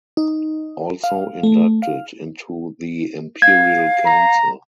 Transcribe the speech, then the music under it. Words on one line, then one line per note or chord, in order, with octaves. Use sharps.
Also inducted into the Imperial Council.
D#4
F5
A3
F5
F5 G#6
A#5